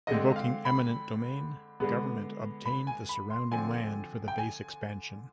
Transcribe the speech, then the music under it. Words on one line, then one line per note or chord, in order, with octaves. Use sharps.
Invoking eminent domain, the government obtained the surrounding land for the base expansion.
D3 G#3 C4 D#5
F5
B5
D3 G#3 B3
B5
G#5
B5
C6
D3 F3 C4 G#5
G5
G#5